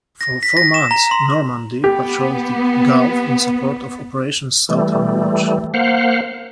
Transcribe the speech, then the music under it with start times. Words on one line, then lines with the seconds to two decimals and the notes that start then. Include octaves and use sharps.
For four months "Normandy" patrolled the Gulf in support of Operation Southern Watch.
0.21 A#6
0.43 B6
0.57 A#6
0.74 E7
0.91 A#5
1.11 C6
1.84 B3 G4
4.69 E3 G3 A3
5.74 A#3 C5 F5 F#5